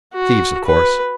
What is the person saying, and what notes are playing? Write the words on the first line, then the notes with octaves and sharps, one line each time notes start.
Thieves, of course.
F#4
B4